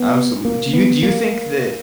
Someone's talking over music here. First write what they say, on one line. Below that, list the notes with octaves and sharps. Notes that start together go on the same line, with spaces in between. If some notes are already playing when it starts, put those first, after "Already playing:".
Absolutely. Do you do you think that
Already playing: B3
A#3
B3
A#3